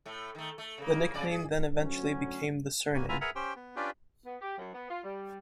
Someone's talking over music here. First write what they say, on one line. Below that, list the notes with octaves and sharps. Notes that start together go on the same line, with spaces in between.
The nickname then eventually became the surname.
A2 A3
D#3 A3
A3
C#3 A#3
F2 C#3 D5
G#4
D2 F#3 C#4
A#3 B3 C#4 G#5
B3 E4 F4 E5 G#5 A#5
G#4 A#4 B4 E5 F#5 A#5
C#4 G4 C5 G5
B3
C#4 D4 F4 G4 B4
B3
G4
F#2
B3
F4
G3